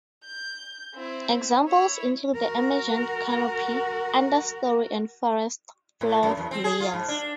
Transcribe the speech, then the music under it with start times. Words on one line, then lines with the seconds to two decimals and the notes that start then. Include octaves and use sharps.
Examples include the emergent, canopy, understorey and forest floor layers.
0.24 G6
0.94 C4 E4
1.67 E4 C#5
2.35 F#4 A#4
6.01 A2
6.23 F#2
6.37 E2
6.51 C4
6.64 G#4
6.80 F4
6.93 G#2
7.08 D4